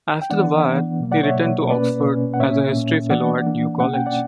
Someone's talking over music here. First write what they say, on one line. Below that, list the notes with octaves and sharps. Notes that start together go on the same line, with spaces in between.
After the war he returned to Oxford as a history fellow at New College.
G5
E3 B3 D4 D5 F#5
E3 B3 D4
B2 F#3 A#3
D5 F#5
C#5 E5
B2 F#3 A#3
B2 A#3 C#4 B4 D5
B2 A#3 C#4
F#5
A#2 A#3 C#4 C#5 E5
A#2 A#3 C#4
E3 A#3 D4 D5 F#5
E3 A#3 D4
B2 A#3 C#4 F#5
G5
D5 F#5